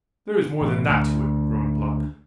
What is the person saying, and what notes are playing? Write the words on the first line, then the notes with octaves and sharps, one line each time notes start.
"There is more than that to it," groaned Blood.
A1
D2